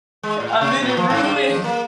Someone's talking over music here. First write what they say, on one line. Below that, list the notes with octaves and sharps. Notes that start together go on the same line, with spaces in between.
I'm in a ruin.
G#3
A2
C3
A#2
F3
G#2
G2
G#4
F2
A#3